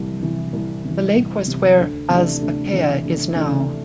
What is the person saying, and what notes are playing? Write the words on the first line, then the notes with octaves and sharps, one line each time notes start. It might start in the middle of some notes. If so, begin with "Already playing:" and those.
The lake was where Azbakeya is now.
Already playing: C2 C3 E3
C3 E3
C2
C3 E3
C2
C3 E3
D2
C3 E3 A3 D4
D2
C3 E3 A3 D4
D2
C3 E3 A3 D4